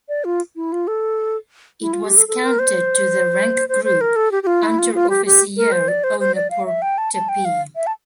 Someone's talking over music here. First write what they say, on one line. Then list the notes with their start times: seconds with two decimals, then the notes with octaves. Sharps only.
It was counted to the rank-group Unteroffiziere ohne Portepee.
0.09 D5
0.24 F4
0.56 E4
0.72 F4
0.87 A4
1.81 E4
1.93 F4
2.05 G4
2.17 A4
2.28 A4
2.44 A#4
2.59 C5
3.69 C5
3.84 C5
4.01 A#4
4.16 A4
4.32 G4
4.43 G4
4.47 F4
4.63 E4
4.79 F4
4.94 F4
5.10 G4
5.26 G4
5.57 A#4
5.72 C5
5.88 D5
6.04 C5
6.20 C5
6.35 D5
6.51 F5
6.66 E5
6.82 G5
6.98 A5
7.14 A5
7.29 G5
7.45 F5
7.76 E5
7.87 A5